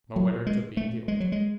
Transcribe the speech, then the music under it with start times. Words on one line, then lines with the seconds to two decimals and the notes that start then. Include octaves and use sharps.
No weather to be in the open.
0.16 F#3
0.47 G#3
0.77 A3
1.08 G#3
1.20 F#3
1.32 G#3